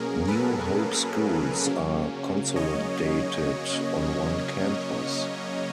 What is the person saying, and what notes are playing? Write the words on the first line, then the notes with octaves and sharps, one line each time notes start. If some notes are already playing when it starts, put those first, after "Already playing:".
New Hope Schools are consolidated on one campus.
Already playing: B2 F#3 A#3 C#4 G#4 A#4
A4 B4
C#3 F#3 A#3 C#4
C#5 D#5